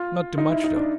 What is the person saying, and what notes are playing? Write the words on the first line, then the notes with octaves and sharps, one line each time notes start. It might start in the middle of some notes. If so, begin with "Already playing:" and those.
Not too much, though.
Already playing: F4
D#4
E4
D#4
D4